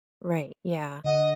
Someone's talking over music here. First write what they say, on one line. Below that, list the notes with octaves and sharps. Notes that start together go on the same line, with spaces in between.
Right, yeah.
D3 D#5 F#5